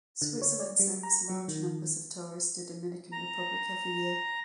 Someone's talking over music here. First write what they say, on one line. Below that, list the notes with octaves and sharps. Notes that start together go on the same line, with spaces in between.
Switzerland sends large numbers of tourists to Dominican Republic every year.
D3
C#5
D5
G3
A#5
F#3
D#3
A#5